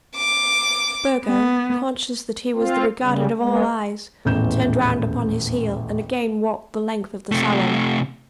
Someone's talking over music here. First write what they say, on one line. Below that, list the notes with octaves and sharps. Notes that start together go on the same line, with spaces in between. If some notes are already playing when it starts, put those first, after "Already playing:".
Burgo, conscious that he was the regarded of all eyes, turned round upon his heel and again walked the length of the salon.
D6
B3
C4 F4
C#3 G3
G#3 B3
D#1 A1 E2 A2 G6 E7
C3 A3